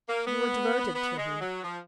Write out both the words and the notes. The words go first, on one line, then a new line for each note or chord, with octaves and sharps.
"You are devoted to him."
A#3
B3
B3
G#3
F#3
F3